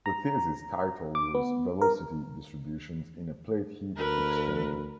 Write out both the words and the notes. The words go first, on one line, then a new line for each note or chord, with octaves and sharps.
The thesis title was "Velocity distributions in a plate heat exchanger".
A#5
D6
B3
A#4
D2 A#4 B4